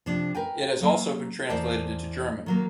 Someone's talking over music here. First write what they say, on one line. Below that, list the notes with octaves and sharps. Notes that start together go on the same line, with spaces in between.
It has also been translated into German.
C3 F3 D4
A#4 B4 G5 G#5
F#3 A#3
E2 A#4 C5 D5 E5 A5
D#3 F#3 A#3